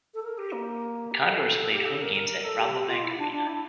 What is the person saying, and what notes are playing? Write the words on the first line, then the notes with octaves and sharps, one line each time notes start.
The Condors played home games at Rabobank Arena.
A4
A#4
G4
A#3
G4
A4
G4
A4
A#4
A#4
A#4
A4
G4
F4
E4
D4
D4
E4